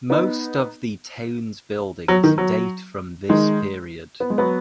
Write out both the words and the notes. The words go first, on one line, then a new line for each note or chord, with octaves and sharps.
Most of the towns buildings date from this period.
B3 D#4
F#3
D#3
F#3
D#3 G#3
B3
G#3
F#3 B3